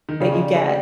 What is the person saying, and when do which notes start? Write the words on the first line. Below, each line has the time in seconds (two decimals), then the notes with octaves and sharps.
that you get.
0.09 D#3
0.20 C#3 G3
0.32 G#3
0.42 G3
0.55 G#3
0.66 G3